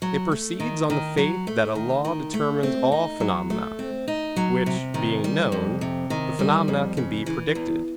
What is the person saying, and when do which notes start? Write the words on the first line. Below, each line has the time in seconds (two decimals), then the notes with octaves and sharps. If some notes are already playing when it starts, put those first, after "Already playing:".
It proceeds on the faith that a law determines all phenomena, which being known, the phenomena can be predicted.
0.02 F#3
0.32 A3
0.60 D#3
0.90 D#3
1.17 F#3
1.47 A3
1.75 D#3
2.05 D#3
2.34 A3
2.63 C4
2.92 D#4
3.20 F#3
3.50 A3
3.79 C4
4.08 D#4
4.36 F#3
4.66 C3
4.94 D#3
5.24 G3
5.52 F2
5.81 C3
6.10 D#3
6.39 G3
6.68 F2
6.97 C#3
7.26 E3
7.55 E2